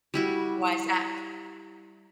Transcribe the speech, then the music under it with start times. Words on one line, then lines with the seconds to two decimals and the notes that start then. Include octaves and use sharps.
Why's that?
0.14 G3 E4 F#4